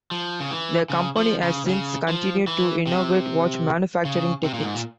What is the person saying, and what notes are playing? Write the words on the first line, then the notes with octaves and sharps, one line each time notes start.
The company has since continued to innovate watch manufacturing techniques.
F3
C#3
E3
C#3
F3
C#3
C#3
F3
E3
C3
C#3
C3
A#2
G#2
A#2